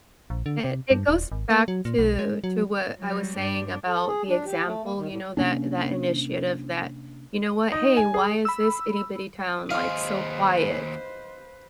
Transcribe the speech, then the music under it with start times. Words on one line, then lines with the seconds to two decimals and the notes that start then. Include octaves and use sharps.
It it goes back to to what I was saying about the example, you know, that that initiative that, "You know what, hey, why is this itty-bitty town, like, so quiet?"
0.30 A#1
0.46 D3
0.64 C3
0.91 G2
1.08 D#1
1.32 G#1
1.50 A#3
1.68 F#3
1.85 A#2
1.98 B1
2.19 G#3
2.44 F#3
3.00 F#3 G3
3.37 G2 D4
3.86 A4
4.08 G#4
4.28 D4
4.45 G4
4.66 A3
4.83 A#3
4.98 D#3
5.10 A2
5.37 C3 A#3 C#4 D4
7.72 D#4
7.97 G#5
8.14 G#4
8.45 B5 E6
9.71 D#2 G#4 B4 C5 D#5 F5 C6